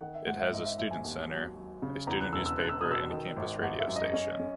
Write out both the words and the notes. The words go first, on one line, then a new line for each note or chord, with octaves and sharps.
It has a student centre, a student newspaper and a campus radio station.
D#3 F#5
E5
G#2 F#5
E5
G#1 D#5
E5
G#1 E5
G#5
D#2
F#3
F#3
C#3
E2 A#5
F#6
E1 E6
E6
E1 F#6
E6
B2 D#6
E6
D#3
G#1
G#1 F#5
E5
F#2
D#5
C#4 D#5
C#4